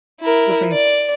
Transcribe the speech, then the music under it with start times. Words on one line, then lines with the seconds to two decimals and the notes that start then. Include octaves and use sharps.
Good for you.
0.20 E4 A#4
0.73 D5